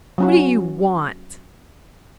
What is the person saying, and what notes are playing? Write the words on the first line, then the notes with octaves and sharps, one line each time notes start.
"What do you want?"
F#3 C#4 F#4